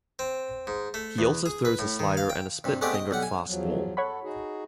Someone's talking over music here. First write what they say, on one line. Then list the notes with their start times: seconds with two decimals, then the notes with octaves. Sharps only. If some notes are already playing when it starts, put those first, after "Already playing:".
He also throws a slider and a split-fingered fastball.
0.19 C4
0.67 G#2
0.94 A3
1.19 E2
1.46 G#4
1.65 B4
1.79 A2
1.99 D#3
2.17 F5
2.30 G5
2.64 G2 C3
2.81 G#3 A3 B3 C4 G4 D5
2.94 D#5
3.11 B1 G3 F#5
3.23 G#5
3.46 E2 F3 F#3
3.97 A4 C#5 F#5 B5
4.23 D#4 F#4 G#4